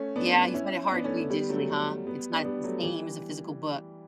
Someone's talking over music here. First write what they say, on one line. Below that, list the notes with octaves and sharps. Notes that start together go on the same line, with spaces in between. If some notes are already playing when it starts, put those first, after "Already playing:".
Yeah, you find it hard to read digitally, huh? It's not the same as a physical book.
Already playing: A3 C#4
B3 D4
B3 D4
C#4 E4
B3 D4
A3 C#4
A3 C#4
G3 B3
F#3 A3
G3 B3
B3 D4
G3 B3
F#3 A3
E3 G3